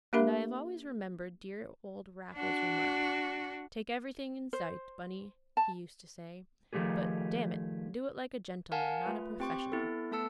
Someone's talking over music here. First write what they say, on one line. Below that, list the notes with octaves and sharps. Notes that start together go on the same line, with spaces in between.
And I have always remembered dear old Raffles's remark, "Take everything in sight, Bunny," he used to say; "but, damn it, do it like a gentleman, not a professional."
A#3 D4 G4 A#4 E5 B5
D4 F#4
C5
A5
D#3 F3 A3 G4 G#4
A#4 F5 F#5 G#5 A5
A3 F4 B4
C4 G4 G5 C6 C#6
B3 E4 A4
A3 B3 A4 A5 E6 C#7